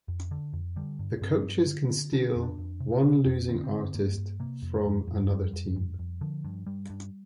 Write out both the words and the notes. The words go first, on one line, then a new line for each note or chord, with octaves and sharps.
The coaches can each steal one losing artist from another team.
F2
D3
F2
D3 G3
G2
G2 C4
G2
D3
D3
D3 D4
C4
F2
D4
F2
C3
C3
F2
D3 C4
C4
D3
C4
G2 A#3
G2
C3 A#3
F2
F2
F2
F2 G3
F2
F2
F2
D3 F3
G2
G2 G3
G2